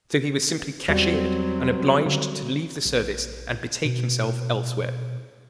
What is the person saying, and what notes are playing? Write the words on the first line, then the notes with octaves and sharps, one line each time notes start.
So he was simply cashiered and obliged to leave the service and betake himself elsewhere.
E2 F#3 G3 C4 F#4
D3
A#1
B2